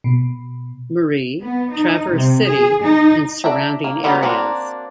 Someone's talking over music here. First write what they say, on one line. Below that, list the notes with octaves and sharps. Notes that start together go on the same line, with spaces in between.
Marie, Traverse City, and surrounding areas.
B2
B3
D#4
C3
G#4
D#4
D4 E5 A#5
A#3
F#3 G3 A#3 B3 F4
A#3 C4 D4 F#4